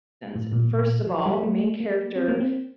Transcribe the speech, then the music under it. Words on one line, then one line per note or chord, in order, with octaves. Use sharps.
And first of all, the main character,
A2
A#2
A#2
F3
G3
A3
A#3
C4
A#3
C4